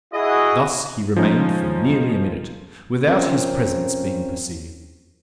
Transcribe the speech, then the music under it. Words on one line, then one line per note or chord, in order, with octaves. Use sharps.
Thus he remained for nearly a minute, without his presence being perceived.
E4 F#4 G#4 D#5
F3 G#3 C#4 D#4
F3 C4 C#4 A#4